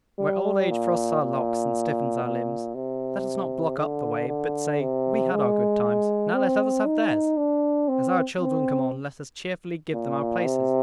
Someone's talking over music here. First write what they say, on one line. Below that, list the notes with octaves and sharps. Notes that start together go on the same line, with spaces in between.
When old age frosts our locks, and stiffens our limbs, let us not block up the way, but say, "We had our good times: now let others have theirs." As our children come on, let us cheerfully give them our places.
G3
A#2
A#2
A#2
C3
D3
D3
C3
G#3
C4
D#4
D4
C4
C4
A#2
C3